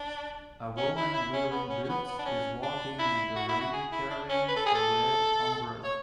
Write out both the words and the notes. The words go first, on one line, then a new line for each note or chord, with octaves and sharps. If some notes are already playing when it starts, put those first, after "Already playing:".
A woman wearing boots is walking in the rain carrying a red umbrella.
Already playing: D4
C#4
E4
E4
C#4
B3
C#4
C#4
B3
B3
D4
C#4
D4
E4
F#4
E4
F#4
G#4
E4
D4
C#4
B4
A4
G#4
A4
C#5